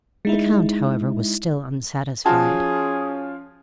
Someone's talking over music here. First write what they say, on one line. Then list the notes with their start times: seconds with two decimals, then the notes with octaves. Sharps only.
The Count, however, was still unsatisfied.
0.25 G#3 D#4 E4
2.26 F3 C#4 F4 F#4 G#4 A5